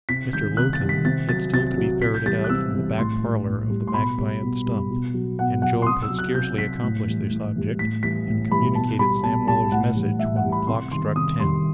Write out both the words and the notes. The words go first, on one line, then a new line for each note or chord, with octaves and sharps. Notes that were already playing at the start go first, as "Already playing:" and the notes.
Mr. Lowten had still to be ferreted out from the back parlour of the Magpie and Stump; and Job had scarcely accomplished this object, and communicated Sam Weller's message, when the clock struck ten.
C3 B6
D#3 G3 G6
C3 F#6
A6
D#3 G3
B6
C3 A6
F#3 A6
C3 A6
F#3
C3 B6
G6
E3 G3 A6
F#6
C3 E6
E3 G3
A2 C6
G3
A2
G3
C6
B2 B5
G3
B2
G3
B2
F#3
B2 F#5
F#3 F#5
C6
C3 D#6
E6
F#3
F#6
C3 G6
F#3 B6
A2
E3 G3
A2
E3 G3
A2 B6
E3 G3 B6
A2
E3 G3 B5
B2 A5
G3 B5
B2 A5
G3 A5
A2 F#5
E3 G3
A2 E5
F#5
E3 G3
B5
C3 C6
D#3 G3 C6
C3 D#6
D#3 G3 C6